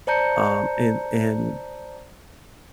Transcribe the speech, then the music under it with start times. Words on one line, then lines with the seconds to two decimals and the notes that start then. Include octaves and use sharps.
um, and and
0.07 C5 D5 A5 A#5 G6 C#7